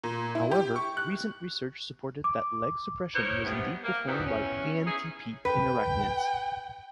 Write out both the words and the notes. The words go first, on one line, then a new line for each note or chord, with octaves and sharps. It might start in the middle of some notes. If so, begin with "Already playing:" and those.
However, recent research supported that leg suppression was indeed performed by Antp in arachnids.
A#2
E4
G4
C#6
F#6
D6
D#4 E4 A#4 C5 C#5
G2 C3 B3
A#3
E3 F#3 G3 B3 C4 D#4
E2 C#4
C#4 D#4 E4 G#4
B4 G5